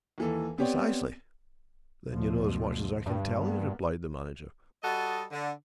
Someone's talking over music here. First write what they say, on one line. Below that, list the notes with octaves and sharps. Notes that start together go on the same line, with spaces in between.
"Precisely!--then you know as much as I can tell you," replied the manager.
D#2 E3 A4
B3 C4 G4 C#5 D5
D2 B2 F3
G2
A#3 B3
G3 F#4 A4 D#5
D3